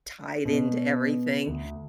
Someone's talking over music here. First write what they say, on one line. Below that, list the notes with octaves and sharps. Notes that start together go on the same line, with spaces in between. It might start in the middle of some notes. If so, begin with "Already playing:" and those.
tied into everything.
B2
D2